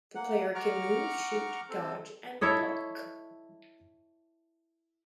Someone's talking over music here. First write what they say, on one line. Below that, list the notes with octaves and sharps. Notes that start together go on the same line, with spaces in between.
The player can move, shoot, dodge, and block.
A#3 F#5
F#5 A#5 C#6 D6 F6
C4 A4
E4 A4 C#5 D#5